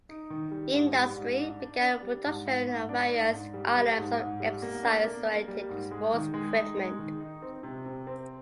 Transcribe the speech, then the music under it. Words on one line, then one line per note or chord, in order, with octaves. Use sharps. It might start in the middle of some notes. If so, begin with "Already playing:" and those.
Industry began the production of various items of exercise-oriented sports equipment.
D#4
D#3
G3
G#2
G3
G#2
D4
D4
D4
G3
G#2
G#2
G#2
D4
G#2
G#2
G3
G3
G#2
G#2
G3
A#3
D4
A#3
A#3
G3
G#2
G#3
D#3
G#3
D#4
G#3
D#3
D#4
C4
C3
C3
C4